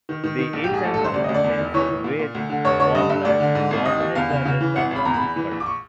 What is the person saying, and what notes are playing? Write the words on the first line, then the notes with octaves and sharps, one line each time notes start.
The hills and some mountains with farmlands dominate the rest of the municipality.
D#3
D#3
D#3
A#1
G4
G#2 G#4
A1 A4
A4
G2
C5
D2 D5
D#5
D2
D5
E2
E1
E3 C#5
E3
A#2
A#2
D2
D3
F1 C#5
D3 C#5
G2 D#5
G2 E5
D2 D5
D3
G#2
G#1
D#2 D#5
D#2
E2 F5
C#3
C#3
E3
G#1 F#5
G#1
B5
E2 A#5
B5
E2
E3
A#1
D6
C#6